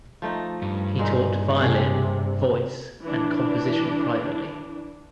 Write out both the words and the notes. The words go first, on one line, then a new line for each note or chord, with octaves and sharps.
He taught violin, voice and composition privately.
F3 A3 D#4
G2
A#2 G#3 D#4
C3 D4 G#4 F5
E3 D4